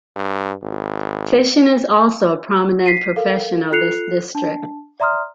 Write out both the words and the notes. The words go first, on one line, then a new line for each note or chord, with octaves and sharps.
Fishing is also a prominent profession of this district.
G2
G#1
B6 C7 D#7
A4 A#4 F5
F4 A4 F#6 C7 C#7 F7
D4 A5
D5 E5 A#5 C6 D#6 F6